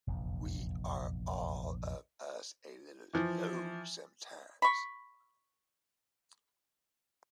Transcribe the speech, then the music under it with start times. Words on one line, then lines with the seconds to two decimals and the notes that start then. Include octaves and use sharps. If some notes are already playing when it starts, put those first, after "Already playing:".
We are all of us a little low sometimes.
0.07 F1 A#1 E2
3.13 E3 F3
4.62 B5 C#6